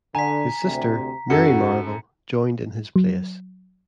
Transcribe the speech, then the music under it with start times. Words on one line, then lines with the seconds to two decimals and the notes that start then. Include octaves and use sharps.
His sister, Mary Marvel, joined in his place.
0.15 D3 G#5 A#5 B6
0.66 D2 C3
1.30 C#2 F#2 F#4 A4 C#7
2.96 F#3